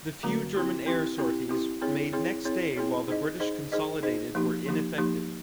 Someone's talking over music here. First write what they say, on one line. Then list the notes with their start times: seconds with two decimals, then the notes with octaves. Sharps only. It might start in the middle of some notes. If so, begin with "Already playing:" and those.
The few German air sorties made next day while the British consolidated were ineffective.
0.23 D3 F#3 A#3 C#4 F#4
0.54 C4 E4 G4
0.86 C4 E4 G4
1.18 C4 E4 G4
1.49 C4 E4 G4
1.81 C4 E4 G#4 C#5
2.13 C4 E4 G#4 C#5
2.45 C4 E4 G#4 C#5
2.76 C4 E4 G#4 C#5
3.08 D#4 G#4 C5 D#5
3.40 D#4 G#4 C5 D#5
3.72 D#4 G#4 C5 D#5
4.03 D#4 G#4 C5 D#5
4.35 F3 A#3 D#4 G4
4.66 F3 A#3 D#4 G4
4.98 F3 A#3 D#4 G4